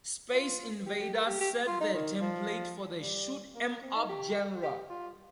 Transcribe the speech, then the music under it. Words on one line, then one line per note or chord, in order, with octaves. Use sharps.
"Space Invaders" set the template for the shoot 'em up genre.
F4
G4
G4
A#4
G4
G4
F4
D#4
D#3
F3
G3
A#3
A#3
C4
D#4
G4
G4
F4